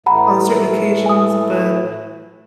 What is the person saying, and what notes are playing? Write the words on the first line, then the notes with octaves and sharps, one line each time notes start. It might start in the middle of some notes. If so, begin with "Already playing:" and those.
on certain occasions, but
A2 E3 A3 F#5 A#5 B5
G#5 D#6